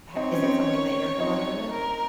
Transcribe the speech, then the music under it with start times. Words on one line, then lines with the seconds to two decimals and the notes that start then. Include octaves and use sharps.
ha is it something that you're familiar with?
0.15 C4 D#4 C#5
0.34 C#4
0.42 C4 D#4
1.20 C4 D#4
1.71 A#4